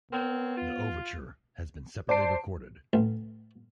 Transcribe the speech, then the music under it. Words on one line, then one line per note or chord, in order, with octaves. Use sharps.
The overture has been separately recorded.
B3 C4 A#4 C#5
F4
C5 D5 A5 C7 D7
A1